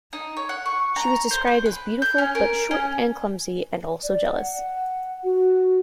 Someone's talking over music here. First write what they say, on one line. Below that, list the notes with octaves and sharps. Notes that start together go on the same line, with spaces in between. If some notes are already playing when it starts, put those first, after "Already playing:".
She was described as beautiful but short and clumsy, and also jealous.
D#4
C#5
F#5
C#6
A#5
C5
C5
B4
G6
C#4
A#4
C#4
D5
F#5
F#4